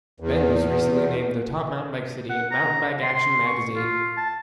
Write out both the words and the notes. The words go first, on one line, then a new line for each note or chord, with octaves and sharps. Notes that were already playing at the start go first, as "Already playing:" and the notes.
Bend was recently named the top mountain bike city in Mountain Bike Action magazine.
E2
F#5
A#5
C6
C#6
F4
A5